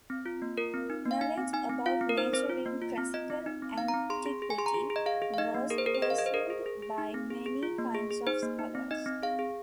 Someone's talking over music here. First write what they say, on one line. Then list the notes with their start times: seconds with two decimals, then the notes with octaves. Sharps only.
Knowledge about nature in Classical Antiquity was pursued by many kinds of scholars.
0.10 C4
0.26 F4
0.42 A#3
0.57 F4 A#4
0.74 C4
0.90 D#4
1.05 A#3
1.11 F5
1.21 D#4 G#5
1.38 C4
1.53 D#4 G#5
1.69 C4
1.86 F4 F5
2.01 C4
2.09 A#4
2.18 D#4 C5
2.33 C4 C5
2.50 F4
2.66 A#3
2.82 F4
2.98 C4
3.14 F4 D#5
3.30 C4
3.46 D#4
3.62 C4
3.77 D#4 F5
3.88 A#5
3.94 C4
4.10 G#4 C6
4.26 G#4
4.42 G#4
4.50 G#5
4.58 G#4 C6
4.66 A#5
4.74 G#4
4.90 G#4
4.96 D#5
5.06 G#4 F5
5.22 G#4
5.34 F5
5.38 D#4 D#5
5.55 A#3
5.70 G#4 A#4
5.78 C5
5.86 G#4 A#4
5.95 C5
6.02 G#4 D#5
6.10 F5
6.18 G#4 D#5
6.26 C5
6.34 G#4 A#4
6.50 G#4
6.66 G#4
6.82 G#4
6.98 D#4
7.14 C4
7.30 G#4
7.46 G#4
7.63 F4
7.78 A#3
7.95 G#4
8.10 G#4
8.27 D#4 C5
8.42 A#3
8.59 D#4
8.75 C4
8.91 D#4 D#5
9.06 C4
9.22 G#4 F5
9.39 G#4